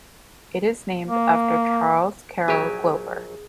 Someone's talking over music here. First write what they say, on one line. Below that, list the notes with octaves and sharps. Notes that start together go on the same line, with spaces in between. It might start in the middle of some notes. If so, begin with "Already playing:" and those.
It is named after Charles Carroll Glover.
A#3
A#1 F#3 G4 G#4